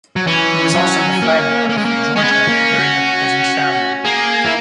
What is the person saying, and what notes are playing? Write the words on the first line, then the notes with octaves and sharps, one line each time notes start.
He was also the flag bearer for Georgia during the closing ceremony.
F#3
E3 C#4
F#3
A#3
A#3
G#3
A#3
G#3 C#4
B3
C#4
A#3
F#4
A#3 G#4
E4